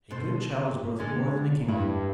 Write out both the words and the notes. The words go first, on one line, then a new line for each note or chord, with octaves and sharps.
A good child is worth more than a kingdom.
B2 A4 C5
D3 G#3 A4
G2 E4